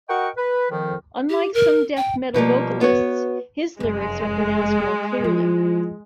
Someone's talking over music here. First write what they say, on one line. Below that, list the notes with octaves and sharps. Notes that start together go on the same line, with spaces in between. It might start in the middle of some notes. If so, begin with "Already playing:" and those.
Unlike some death metal vocalists, his lyrics are pronounced more clearly.
F#4 A#4 D#5 F#5 G5 C#6
B4
F2 D#3 F3
G4
A#4
G5
B2 F3 G3 A#3
B3 F#4 C#5
F1 F#2 G#3
F3 E4